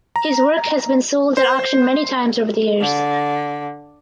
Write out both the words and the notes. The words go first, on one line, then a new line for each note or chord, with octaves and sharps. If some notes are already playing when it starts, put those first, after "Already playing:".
His work has been sold at auction many times over the years.
A#5
C5
D3